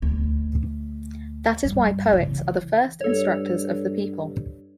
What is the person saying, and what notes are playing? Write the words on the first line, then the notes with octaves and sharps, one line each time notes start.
That is why poets are the first instructors of the people.
D2
G2
C#3 E3
G2 A4 C#5